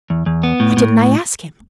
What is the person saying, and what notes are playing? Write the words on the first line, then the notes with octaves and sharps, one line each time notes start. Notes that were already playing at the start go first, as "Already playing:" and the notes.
Why didn't I ask him!
E2
E2
B3
A2
A2